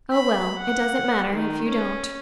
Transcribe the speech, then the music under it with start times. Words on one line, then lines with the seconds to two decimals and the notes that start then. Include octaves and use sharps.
"Oh, well--it doesn't matter--if you don't."
0.14 B5
0.59 F#5
1.32 D#3
1.69 C#4